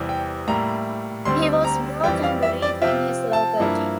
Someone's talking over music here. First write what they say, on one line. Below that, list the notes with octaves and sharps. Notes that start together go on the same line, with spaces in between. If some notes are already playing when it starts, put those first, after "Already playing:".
He was brought and buried in his locality.
Already playing: E2 C3 E3 G3 C4
G5
A2 G3 A#3 E4 A#5
D2 D3 G3 C4 C6
A#5
F2 E3 G3 G5
F5
E5
D5
C3 F3 C4 F4 E5
A5
G2 F3 A#3 E4